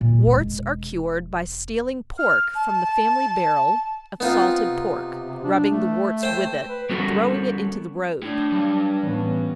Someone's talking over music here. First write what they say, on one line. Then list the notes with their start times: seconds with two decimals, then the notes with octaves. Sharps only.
Warts are cured by stealing pork from the family barrel of salted pork, rubbing the warts with it, and throwing it into the road.
0.01 A#2
0.22 E1 G#3
2.18 F6
2.55 A5
4.20 B3 C4 D#4 F4
4.65 C3
5.44 D4
5.71 A3
6.23 C5 G5
6.69 B4
6.89 G3 B3 C#4 F#4 A4 A#4
8.22 A2 D4
8.52 G2 F#3
9.03 A2 E3 B3 C#4